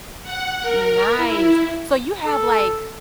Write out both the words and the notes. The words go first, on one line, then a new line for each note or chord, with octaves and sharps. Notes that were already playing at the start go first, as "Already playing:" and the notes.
Nice. So you have, like,
F#5
A#4
E4
A4